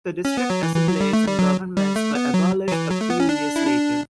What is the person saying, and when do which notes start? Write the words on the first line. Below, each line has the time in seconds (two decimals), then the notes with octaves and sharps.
The district assemblies and governments were abolished a few years later.
0.25 C#4
0.37 B3
0.50 F#3
0.63 E3
0.76 E3
0.88 F#3
1.01 G3
1.13 A3
1.27 G3
1.39 F#3
1.77 G3
1.96 A3
2.15 B3
2.34 F#3
2.68 F#3
2.72 E3
2.91 F#3
3.01 A3
3.10 B3
3.20 C#4
3.29 D4
3.56 E4
3.67 D4